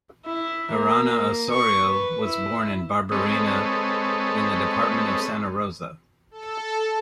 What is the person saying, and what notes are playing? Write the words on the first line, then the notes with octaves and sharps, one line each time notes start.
Arana Osorio was born in Barberena, in the department of Santa Rosa.
E4
A#3
C#6
B4
E4
G#3 C4 A4 B4 C#5 D#5
A4